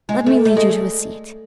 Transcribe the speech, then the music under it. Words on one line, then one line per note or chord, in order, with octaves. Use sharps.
Let me lead you to a seat.'
G#3
A3
A3
G#3